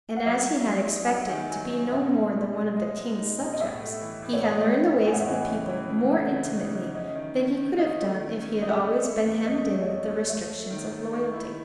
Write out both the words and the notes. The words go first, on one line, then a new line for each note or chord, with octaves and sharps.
And as he had expected to be no more than one of the King's subjects, he had learned the ways of the people more intimately than he could have done if he had always been hemmed in with the restrictions of royalty.
F#5
F#3 E5
F#3
F#3
D#4
G#5
F#3 F#5
D#3
F#3 G#5
D#3
B2 E5
D#4
B2
B2
G#3 D#5
G#3
D#4
B2
D#5
A2 E5
A3
E3
A2
C#5
A3 D#5
A2
A3
A2 G#5
F#5
E5
E3 D#5
C#3
E3
C#3
F#5
A3 E5
C#3
D#4
D#4
C#4 D#5
D#3
C#4
D#3
C#4 D#5
A3
D#3
C#4
A3 D#5
E5
D#5
A3
A3
E2
A3 D#5
E2
C#5
A3 D#5
A3
A3 E5
A3
D#3
A3
D#3 C#6
E4